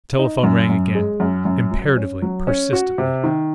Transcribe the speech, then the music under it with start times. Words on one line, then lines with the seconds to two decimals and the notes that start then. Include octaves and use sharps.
The telephone rang again--imperatively, persistently.
0.19 D#4
0.43 F#2
0.70 F#2
0.95 G#3
1.20 F#2
1.45 F#2
1.71 F#3
1.97 C#4
2.22 F#3
2.47 C#4
2.73 F#4
2.98 C3
3.24 D#3